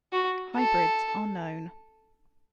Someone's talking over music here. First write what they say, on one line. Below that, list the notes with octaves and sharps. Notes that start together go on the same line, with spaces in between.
Hybrids are known.
F#4
A4